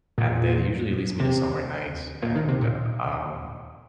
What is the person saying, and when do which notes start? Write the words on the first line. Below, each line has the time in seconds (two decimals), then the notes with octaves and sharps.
and that usually leads me to somewhere nice, and, um
0.18 A#2
1.20 C3
2.22 A#2
2.35 D#3
2.48 C3
2.61 A#2